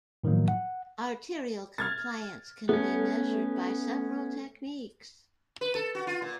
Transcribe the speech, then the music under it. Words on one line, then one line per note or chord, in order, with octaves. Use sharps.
Arterial compliance can be measured by several techniques.
A2 D#3 F3 F#3 A#3
F#5
F6 G#6 A6
A3 B3 C#4
B4
A4
F#4
F4
A#2